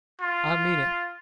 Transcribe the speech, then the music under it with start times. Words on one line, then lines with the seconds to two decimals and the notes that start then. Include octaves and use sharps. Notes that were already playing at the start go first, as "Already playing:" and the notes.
I mean it!
0.21 F4